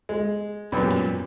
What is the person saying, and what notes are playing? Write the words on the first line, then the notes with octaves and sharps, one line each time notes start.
Thank you.
G#3
F#2 A#2 G3 B3